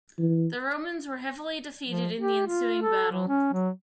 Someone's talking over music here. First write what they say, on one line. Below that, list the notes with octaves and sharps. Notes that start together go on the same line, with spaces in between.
The Romans were heavily defeated in the ensuing battle.
E3
F3
G4
F4
A4
F#3
C#4
F#3